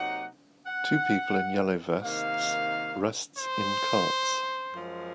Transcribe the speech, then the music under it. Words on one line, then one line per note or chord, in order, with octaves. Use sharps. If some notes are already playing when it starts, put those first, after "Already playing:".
Two people in yellow vests rests in carts.
Already playing: C3 F#3 A#3 D#4 F#5
F#5
C3 D#3 A#3 D#4 F5
C5
F#2 F3 G#3